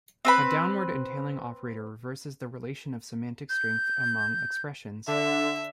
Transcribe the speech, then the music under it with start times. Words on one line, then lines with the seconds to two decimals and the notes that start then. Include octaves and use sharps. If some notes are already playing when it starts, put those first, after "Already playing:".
A downward entailing operator reverses the relation of "semantic strength" among expressions.
0.25 C4 B4 B5
3.49 G6
5.08 D3 E5